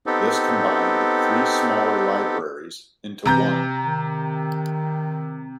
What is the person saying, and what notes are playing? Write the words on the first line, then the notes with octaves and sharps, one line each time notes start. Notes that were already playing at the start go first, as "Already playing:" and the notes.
This combined three smaller libraries into one.
B3 C4 D#4 G4 A4
C3 E3 A#5 G6
D#3